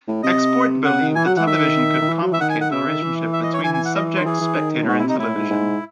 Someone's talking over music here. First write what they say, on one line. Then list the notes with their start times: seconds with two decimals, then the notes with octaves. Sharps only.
Export believed the television could complicate the relationship between subject, spectator, and television.
0.08 A2
0.23 C3 D#5
0.85 C#3 F#5
1.01 D#3
1.15 E3 G#5
1.26 F#3 F#5
1.36 E3 F#5
1.47 D#3 E5
2.01 D#3
2.09 E3
2.22 F#3
2.31 E3 E5
2.40 D#3 F#5
2.50 G#5
2.61 F#5
2.71 C#3 E5
2.87 D#3
3.02 E3
3.33 E5
3.43 D#5
3.53 C#5
3.64 E3 G#5
3.74 G#5
3.85 F#5
3.95 D#5
4.16 C5
4.21 D#3
4.26 E3 G#4
4.41 E3
4.57 D#3
4.84 A2
4.88 G#2 F#4
4.98 E4
5.04 C3 D#4
5.19 A2 E4
5.35 G#2
5.50 G#2